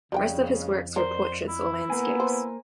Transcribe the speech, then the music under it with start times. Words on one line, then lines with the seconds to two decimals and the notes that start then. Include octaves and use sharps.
Most of his works were portraits or landscapes.
0.12 F2 C#3 G3 A#4 G5
0.96 A#4 C5 D5
1.48 E4
1.90 A#3 B3 G#5
2.20 C5